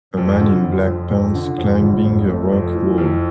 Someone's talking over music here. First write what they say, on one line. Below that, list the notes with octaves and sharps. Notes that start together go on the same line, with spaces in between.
A man in black pants climbing a rock wall.
F2
D3
F2
F2
F2
D3
F2
G1
F2
A3
F2
E3
F2